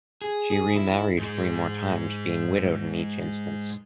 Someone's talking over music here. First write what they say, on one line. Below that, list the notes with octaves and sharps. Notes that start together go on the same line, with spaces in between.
She remarried three more times, being widowed in each instance.
G#4
G#4
E4
G#2 G#3